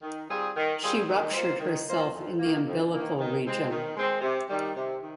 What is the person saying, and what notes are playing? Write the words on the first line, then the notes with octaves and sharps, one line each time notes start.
She ruptured herself in the umbilical region.
D#3
G3 C4 F4 G#4
D#3
G3 C4 F4 G#4
D#3
A#3 F4 C5
D#3
A#3 F4 C5
F2
D#3 A#3
F2
D#3 A#3
D#3
G#3 C4
D#3
G#3 C4
C3
D#3 G3
C3
D#3